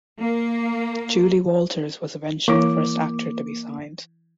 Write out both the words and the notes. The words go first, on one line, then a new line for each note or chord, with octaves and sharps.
Julie Walters was eventually the first actor to be signed.
A#3
E3 A#3 E4 C#5 D6